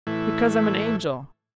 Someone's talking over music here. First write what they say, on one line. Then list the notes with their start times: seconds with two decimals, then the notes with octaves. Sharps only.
"Because I'm an angel."
0.07 A2 E3